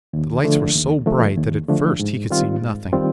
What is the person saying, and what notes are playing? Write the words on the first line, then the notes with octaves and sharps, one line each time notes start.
The lights were so bright that at first he could see nothing.
D#2
D3 F3 A3
D#2
D3 F3 A3
D#2
D3 F3 A3
G#2
D#3 G3 C4 F4
G#2
D#3 G3 C4 F4